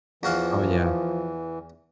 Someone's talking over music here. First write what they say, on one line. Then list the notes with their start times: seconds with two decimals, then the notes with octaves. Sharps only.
Oh, yeah.
0.23 E2 E3 F3 F#4 F5